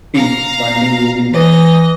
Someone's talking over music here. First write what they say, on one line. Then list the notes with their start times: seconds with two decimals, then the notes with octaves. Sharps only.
Think: one day you will die.
0.14 F5 A#5
1.33 E3 D#5